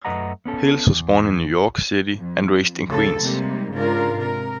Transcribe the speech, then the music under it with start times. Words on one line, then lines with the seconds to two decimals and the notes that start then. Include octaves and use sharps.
Hales was born in New York City and raised in Queens.
0.05 F#2 A3 B4 D#5 F#5 A#5
0.45 B3 C#4 A4
0.86 E2
2.17 F2
2.89 D2 C#3 A4
3.20 C3 G3 G#3 A#3 D#4
3.72 G#2 C#3 D4 F4 A#4
4.17 C3 A#4